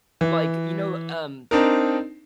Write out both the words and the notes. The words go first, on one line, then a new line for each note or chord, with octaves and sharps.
like, you know, um,
E3
C4 D4 D#4 A#4